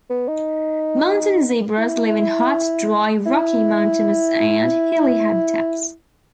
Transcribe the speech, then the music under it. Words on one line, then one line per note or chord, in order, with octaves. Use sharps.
Mountain zebras live in hot, dry, rocky, mountainous and hilly habitats.
B3
D#4
E4
E4